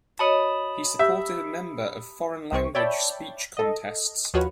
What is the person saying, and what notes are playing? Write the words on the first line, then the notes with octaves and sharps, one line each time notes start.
He supported a number of foreign language speech contests.
F#4 C#5 D#5 A5 B5 D#6
G4 E5
C2 C3 C4 C#6
C#5 D5 E5 G5 A5 B5
A4 D#5
D#2 F3 F4 F#4 B4 C#5